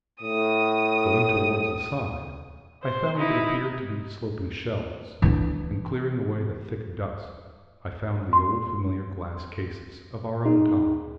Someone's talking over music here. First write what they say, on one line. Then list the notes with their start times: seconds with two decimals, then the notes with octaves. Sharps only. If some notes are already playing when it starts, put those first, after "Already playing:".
Going towards the side I found what appeared to be sloping shelves, and clearing away the thick dust, I found the old familiar glass cases of our own time.
0.22 A2 D#6
2.83 C5
3.17 D#4 E4
5.22 E3 D4
8.33 C6
10.45 D#4 G#4